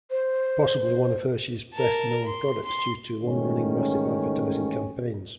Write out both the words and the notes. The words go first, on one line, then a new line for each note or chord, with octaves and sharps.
Possibly one of Hershey's best-known products due to long-running massive advertising campaigns.
C5
A#4 A5
C6
C6
A1 G#2 D#3 A3 C#4